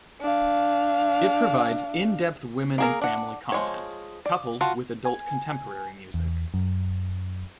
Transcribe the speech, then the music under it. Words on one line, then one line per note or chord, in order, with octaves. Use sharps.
It provides in-depth women and family content, coupled with adult contemporary music.
D4 F5
A#3 G#4 A#4
D4 F#5
F3 G#3 C#5
D5
F4 F#4 A5
G#5
E2
F#2